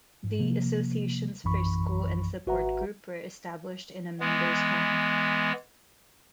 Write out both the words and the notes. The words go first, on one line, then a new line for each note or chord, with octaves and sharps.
The Association's first school and support group were established in a member's home.
G#2
C3 F3 A#3
A#1 F#2 E3 B5 C#6
G#1 F#4 B4 E5 F#5 A#5
E3 G#3 B3